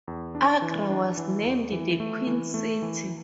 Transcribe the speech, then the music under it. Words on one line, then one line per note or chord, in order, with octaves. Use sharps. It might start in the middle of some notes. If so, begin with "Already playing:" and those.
Agra was named the Queen City.
E2
D4
E3
D4
E3
E2
E3
A3
E3
A3
E3